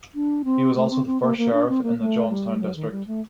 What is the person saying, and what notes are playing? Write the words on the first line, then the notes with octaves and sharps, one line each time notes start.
He was also the first sheriff in the Johnstown District.
D4
C4
A3
C4
C4
A#3
A#3
D4
C4
A#3
A3
G3
F#3
D#3
G3
A3